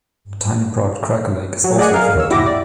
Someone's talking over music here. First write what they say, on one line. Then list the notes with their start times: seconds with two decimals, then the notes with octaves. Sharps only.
The tiny private Cracker Lake is also within the town.
1.64 F#3
1.77 A3 G#4 D5 D#5 F#5 G#5
1.91 G#4 A#4 F5
2.15 D#2 C#5 E6
2.31 E4 F#4 G4 E5 D6 A#6
2.46 D5